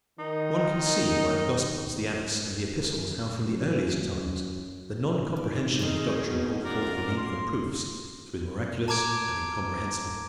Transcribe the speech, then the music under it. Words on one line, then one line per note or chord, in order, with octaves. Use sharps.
One can see by the Gospels, the Acts, and the Epistles how from the earliest times the non-comprehension of the doctrine called forth the need for proofs through the miraculous and incomprehensible.
D#3 D#4
F#2
G#2 D5
A#2 D#3 C4 C#4 D#4 G#4
B2
F#2 F4 F#4 A#4 D5
A#3 C6
A5 A#5 D6 G#6 D7